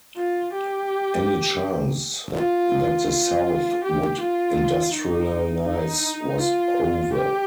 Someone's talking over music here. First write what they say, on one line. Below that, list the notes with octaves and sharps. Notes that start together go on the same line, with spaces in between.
Any chance that the South would industrialize was over.
F4
G4
F4
F4
G4
F4
D#4
D#4
F4
G4